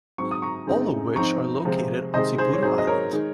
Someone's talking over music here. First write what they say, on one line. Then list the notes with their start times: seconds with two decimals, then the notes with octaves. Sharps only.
All of which are located on Sibutu Island.
0.18 G#2 F#3 C4 C#6
0.31 D#6
0.42 A#5 C#6
0.67 F#2 C#3 G#3 C4 D#4
1.16 G#2 F3 C4 D#4 A#5 C#6
1.65 C3 F3 G#3 C4
2.14 C3 D#3 G#3 D#4 C5 D#5
2.38 G#4 C5
2.53 C#5
2.62 G#2 F#3 C4 G#4 C5
2.78 D#5
2.87 A#4 C#5
3.11 D#3 G#3 D#4